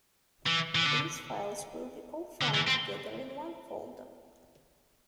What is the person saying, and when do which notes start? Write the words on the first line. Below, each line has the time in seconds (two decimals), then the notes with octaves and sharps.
These files will be all found together in one folder.
0.47 E3
0.75 E3
0.86 D3
2.42 D3
2.55 E3
2.68 C4